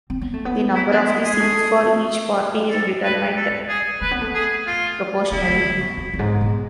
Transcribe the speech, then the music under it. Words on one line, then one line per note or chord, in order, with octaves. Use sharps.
The number of the seats for each party is determined proportionally.
C4
B3
A3
B3
E4
D4
E4
G#4
G#3
A3
A4
B4
A4
G#4
A3 B4
B3
A3
G#4
F4
A3 E4
A3
D3
B2
F2
F2
G#2
B2